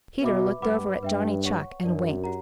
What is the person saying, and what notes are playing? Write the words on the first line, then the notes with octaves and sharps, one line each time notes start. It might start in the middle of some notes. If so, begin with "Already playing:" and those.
Peter looked over at Johnny Chuck and winked.
B2 B4 E5 B5 D6
G2 B4 F#5 B5 D6
G2 B4 E5 G5
C#5 F#5 C#6
F#2 D4 A#4 D5
G4 C#5 F#5 A#5